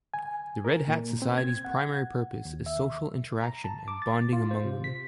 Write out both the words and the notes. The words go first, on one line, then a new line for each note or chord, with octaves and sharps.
The Red Hat Society's primary purpose is social interaction and bonding among women.
G#5
A#4
A#2
C4
G#6
F#5
D#2
E5
A#5
A5
D6
A6
F4
C5
C3
B6